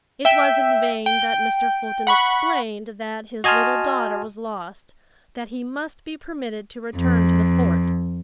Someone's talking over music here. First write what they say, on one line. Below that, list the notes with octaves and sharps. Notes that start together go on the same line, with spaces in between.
It was in vain that Mr. Fulton explained that his little daughter was lost, that he must be permitted to return to the fort.
E5 G5
G5
F#5 B5 C#6
F#4 D#5 G#5 A5 C6 F6
F2